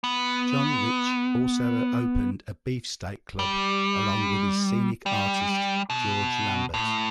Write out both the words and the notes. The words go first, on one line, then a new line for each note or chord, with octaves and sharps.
John Rich also opened a Beefsteak Club along with his scenic artist, George Lambert.
B3
G3
G3
B2
A2